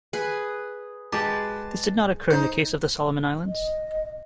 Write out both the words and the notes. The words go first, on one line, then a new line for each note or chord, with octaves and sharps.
This did not occur in the case of the Solomon Islands.
G#4 B4
G#3 G4 B4 A5
D#4 C5
D#5